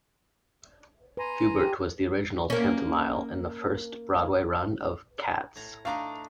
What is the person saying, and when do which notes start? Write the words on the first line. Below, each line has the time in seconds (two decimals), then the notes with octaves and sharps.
Hubert was the original Tantomile in the first Broadway run of "Cats".
1.17 B4 G#5 A#5 C6
1.60 G4
2.50 A#3 C#4
5.56 A2 A#5
5.85 A3 D4 D#4 F5 A#5